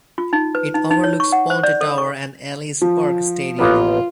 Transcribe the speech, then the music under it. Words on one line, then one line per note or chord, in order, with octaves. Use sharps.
It overlooks Ponte Tower and Ellis Park Stadium.
F4
D#4
B4
D#4
D#4
C#5
C#6
F#5
C5
D5
A4
C#6
F3
A1 A#3 B3 F4